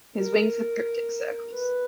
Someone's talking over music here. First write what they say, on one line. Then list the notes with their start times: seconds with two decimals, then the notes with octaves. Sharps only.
His wings have cryptic circles.
0.18 A#4
1.52 B4